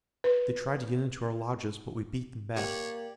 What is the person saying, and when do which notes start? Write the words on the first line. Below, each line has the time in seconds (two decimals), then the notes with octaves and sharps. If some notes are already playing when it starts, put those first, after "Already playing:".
They tried to get into our lodges, but we beat them back.
0.24 B4
2.56 A#3 G4 C#5 D5